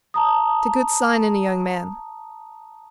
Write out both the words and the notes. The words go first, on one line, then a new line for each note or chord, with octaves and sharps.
It's a good sign in a young man.
A5 A#5 D#6